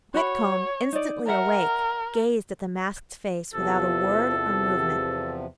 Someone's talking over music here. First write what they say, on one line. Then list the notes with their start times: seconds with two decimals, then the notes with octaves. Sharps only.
Whitcomb, instantly awake, gazed at the masked face without a word or movement.
0.14 F#4 C#5 B5
0.92 D#4 D5
1.27 A#4 D5 E5 F#5
3.54 E2 C3 F3 A4